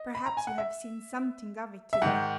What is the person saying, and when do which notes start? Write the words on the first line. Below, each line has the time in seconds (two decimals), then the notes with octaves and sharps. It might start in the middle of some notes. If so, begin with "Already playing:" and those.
Perhaps you have seen something of it to-day.'
Already playing: D#5
0.15 B5
0.26 A#5
0.37 G#5
0.47 F#5
0.58 E5
1.93 E5
2.02 G#2 D#3 F#5